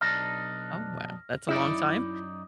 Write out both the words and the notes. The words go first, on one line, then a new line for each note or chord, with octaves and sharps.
Oh, wow, that's a long time.
B1 D4 D#4 F6 A#6
F#2 D#4 E4 D5